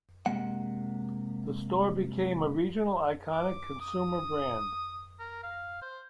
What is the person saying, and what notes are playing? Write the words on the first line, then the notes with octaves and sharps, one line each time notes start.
The store became a regional Iconic Consumer brand.
C3 G#3 A#3 F#5
D6
D#6
A#4
F5
C5